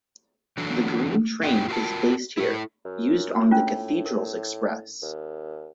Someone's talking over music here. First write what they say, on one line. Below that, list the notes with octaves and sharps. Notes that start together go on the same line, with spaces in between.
"The Green Train" is based here, used on "The Cathedrals Express".
E3 F#3 D4 A4
F#2 F#3 E4 F#4 G5
F4 F#4 A#4 A5
E4 A4
F#2
C#4 D4 F4
A2
A#4
D#2